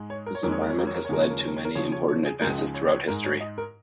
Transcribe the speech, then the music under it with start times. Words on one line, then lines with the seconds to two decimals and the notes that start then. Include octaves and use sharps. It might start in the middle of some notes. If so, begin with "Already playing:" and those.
This environment has led to many important advances throughout history.
Already playing: G#2 G#3
0.10 C#5
0.26 A#4
0.35 C#5
0.43 F2 D#3 G#3 A#4
0.52 C#5
0.61 A#4
0.70 C#5
0.78 A#4
0.87 C#5
0.95 A#4
1.05 C#5
1.09 D#2 C#3 F3 G#3 A#4
1.22 C#5
1.30 A#4
1.39 C#5
1.47 A#4
1.57 C#5
1.65 A#4
1.75 D#2 C#3 F3 C#5
1.92 C#5
2.08 C#5
2.25 G#4
2.42 C#2 C#3 F3 G#3 A#4
2.58 D#4
2.74 C#5
2.91 C#5
3.08 G#2 G#3 A#4
3.25 C#5
3.41 D#5
3.58 A#4